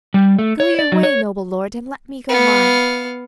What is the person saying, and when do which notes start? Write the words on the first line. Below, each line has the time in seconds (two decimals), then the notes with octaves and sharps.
'Go your way, noble lord, and let me go mine.
0.14 G3
0.39 A3
0.60 C#5
0.79 D5
0.92 F#3
1.03 C#5
2.29 B3 F5